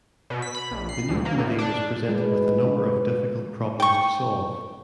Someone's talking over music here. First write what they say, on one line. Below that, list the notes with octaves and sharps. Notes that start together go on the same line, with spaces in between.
The new committee was presented with a number of difficult problems to solve.
B2
B6
B5
A#1
C7
D2
A#3
A2
D4
B2 G#3 B4
G5 C#6